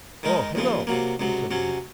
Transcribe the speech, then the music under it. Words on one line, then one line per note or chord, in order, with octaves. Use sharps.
"Oh, hello!" said the man.
D#3 G#3 D#4 A#4
D#2 C#3 F3 C4
C3 F#3 A#3
C#2 C3 F#3
C3 F#3 C#4